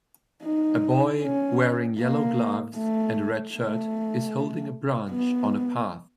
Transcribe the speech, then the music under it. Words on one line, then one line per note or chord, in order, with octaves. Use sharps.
A boy wearing yellow gloves and a red shirt is holding a branch on a path.
D#4
C#4
A#3
A3
A3
B3